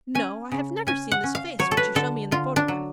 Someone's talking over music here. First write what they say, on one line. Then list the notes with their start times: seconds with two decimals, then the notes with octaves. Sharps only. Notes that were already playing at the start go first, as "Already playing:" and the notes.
No, I have never seen this face which you show me in the photograph.
0.15 C#4 G#5
0.52 C#3
0.87 C#4 G#5
1.11 F#5
1.24 C#4
1.35 F5
1.59 F#3 C#5
1.71 A4
1.77 B4
1.95 D3 A4
2.31 D3 F4
2.56 D4
2.68 F#3